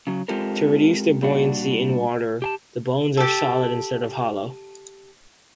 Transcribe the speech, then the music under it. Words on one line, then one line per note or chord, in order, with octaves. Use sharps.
To reduce their buoyancy in water, the bones are solid instead of hollow.
C#3 F#3
G#3 C4 F4 G4 A4 A#4
A#2 G3 D4 F#4
G4 G#5 A5
G4 A4